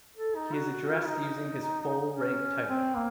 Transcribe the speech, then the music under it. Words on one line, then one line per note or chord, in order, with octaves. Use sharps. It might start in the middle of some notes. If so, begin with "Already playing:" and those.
He is addressed using his full rank title.
A4
D#4
F#4
F#4
F4
D#4
C#4
C4
A#3